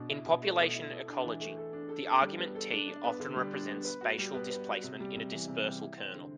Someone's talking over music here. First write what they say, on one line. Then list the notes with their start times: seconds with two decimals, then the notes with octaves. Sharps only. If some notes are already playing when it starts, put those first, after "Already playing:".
In population ecology, the argument "t" often represents spatial displacement in a dispersal kernel.
Already playing: B2 D4
0.10 E4
0.26 B2
0.42 A3
0.59 B2
0.75 E4
0.91 A4
1.07 D4
1.24 E3
1.40 A3
1.57 A4
1.73 D4
1.89 A4
2.06 D4
2.22 G3
2.38 B3
2.55 A4
2.71 D4
2.88 D4
3.03 B3
3.20 D3
3.36 G3
3.53 D4
3.69 B3
3.85 B4
4.01 F#4
4.18 G3
4.34 B3
4.50 B4
4.67 F#4
4.84 C3
5.00 G3
5.16 C3
5.32 E3
5.48 C3
5.65 G3
5.82 E4
5.98 C4
6.14 D3